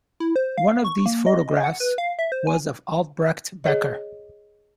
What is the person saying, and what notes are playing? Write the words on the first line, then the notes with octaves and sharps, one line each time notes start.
One of these photographs was of Albrecht Becker.
E4
C5
F5
C#6
A#3
D#5
F#5
B4
F5
E5
C5
G#5
G#4 C#5 D#5